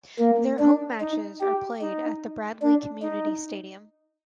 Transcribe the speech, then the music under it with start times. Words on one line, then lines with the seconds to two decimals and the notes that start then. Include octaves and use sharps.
Their home matches are played at the Bradley Community Stadium.
0.19 A#3
0.59 D4
1.00 D#4
1.41 G4
1.81 D#4
2.62 D4
3.02 D#4